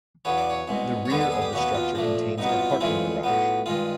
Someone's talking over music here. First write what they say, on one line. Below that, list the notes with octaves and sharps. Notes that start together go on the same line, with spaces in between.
The rear of the structure contains a parking garage.
E2 C#3 F#3 B3 C#5
D5
C#5
C2 B2 G#3
C#5
D#2 D3 G3 B3 C5
A4
G#4
G4
D#2 C#3 F#3 B3 F#4
F4
A#2 F3 A3 D4
C2 B2 F#3 B3 D#4
F4
F4
E4
D2 C#3 E3 G#3 C4 F4
A2 F#3 B3
G2 D#3 G#3 F4